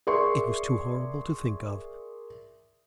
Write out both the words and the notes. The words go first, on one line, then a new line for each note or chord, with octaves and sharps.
It was too horrible to think of.
G#4 A#4 D5 E5 C6 C#6